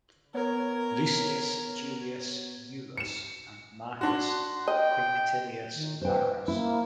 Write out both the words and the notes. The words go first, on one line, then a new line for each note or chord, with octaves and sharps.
Lucius Julius Iulus and Marcus Quinctilius Varus.
B3 A#4 C#5 G#6
C#7 E7
D4 F#4 C6
D#5 G5
D#3
B4 C5 G5
A#3 E4